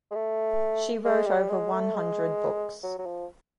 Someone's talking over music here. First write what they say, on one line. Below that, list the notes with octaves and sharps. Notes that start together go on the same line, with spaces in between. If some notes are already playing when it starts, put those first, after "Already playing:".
She wrote over one hundred books.
G#3
A3
G#3
G3
G#3
A3
G#3
F#3
F#3
F3